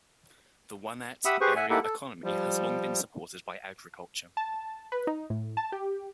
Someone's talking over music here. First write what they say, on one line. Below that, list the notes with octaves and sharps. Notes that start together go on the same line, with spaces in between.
The Wanette area economy has long been supported by agriculture.
G4 E5 F#5 B5 D#6 E6
G4 G#4 B4 C5 C#6
E5 F#5 G#5
A#3 D#4 E4 G4 A4 F#5
A4
F3 G3
A5
B4
D#4
A2
A5
G4